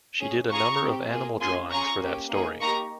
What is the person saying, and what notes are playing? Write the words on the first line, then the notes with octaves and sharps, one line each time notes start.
She did a number of animal drawings for that story.
C#4 G#4
C#4 F4 G#4 A#5 C#6
C4 G4
A#3 F4 G#4
C#4 F4 G#4 G#5 C6
C#4 F4 G#4 A#5 C#6
A#3 C#4 G4
A#3 D#4 G#4
A#3 D#4 G4 A#5 C#6